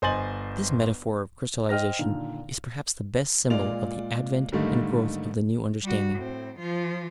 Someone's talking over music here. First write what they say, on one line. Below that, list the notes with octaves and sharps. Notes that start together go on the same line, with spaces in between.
This metaphor of crystallisation is perhaps the best symbol of the advent and growth of the new understanding.
G1 C5 D#5 G#5 A6 F#7
C5 D#5 G5 F6 A#6
A#2 D3 D#3
A#2 G#3 F4 D5 F7
G#2 D3 D#3 G3 A3 A#3
G3 F#4
A2 C4
F3 F4